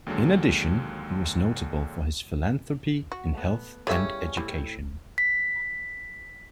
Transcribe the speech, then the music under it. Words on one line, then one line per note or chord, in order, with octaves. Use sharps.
In addition, he was notable for his philanthropy in health and education.
D#2 D3 F#3 G#3 A5
F#4
A3 B3
C#3 G3 C#4 E4 G4 A4 E5
A2 G3 C4 E4
B6